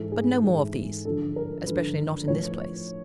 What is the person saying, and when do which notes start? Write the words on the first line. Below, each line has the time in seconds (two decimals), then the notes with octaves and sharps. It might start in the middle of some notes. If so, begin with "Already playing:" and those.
But no more of these; especially not in this place.
Already playing: G#2 E3 A4
0.12 G#4
0.43 G#2 E3 G#4
1.05 G2 D3 F3 A4
1.36 A#4
1.66 G2 D3 F3 B4
2.28 A2 F3 C#5